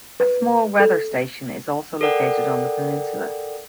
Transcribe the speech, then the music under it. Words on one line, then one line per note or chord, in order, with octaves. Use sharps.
A small weather station is also located on the peninsula.
B4
A4
A4 A#4 D5 F#5 G5